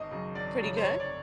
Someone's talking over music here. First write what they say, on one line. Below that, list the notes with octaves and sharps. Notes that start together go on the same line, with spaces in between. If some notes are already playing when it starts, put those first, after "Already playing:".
pretty good?
Already playing: G#1 D#5
F#2 C#3
G#1 D5
F#2 C#3
C5
F1 C#5
D5